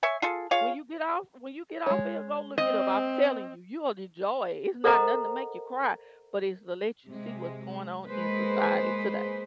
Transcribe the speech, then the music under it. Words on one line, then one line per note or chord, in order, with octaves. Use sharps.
When you get off when you get off of here go look it up, I'm telling you, you will enjoy it, it's not nothing to make you cry, but it's the let you see what's going on in society today.
C#5 E5 G#5
F4 G#4 A4
F4 G#4 C#5 F5
G#3 C#5
C4 D#5
A4 A#4 C5 D#5 F#5 A#5
C3 G#3
G#3 A#3 G#4 B4 C5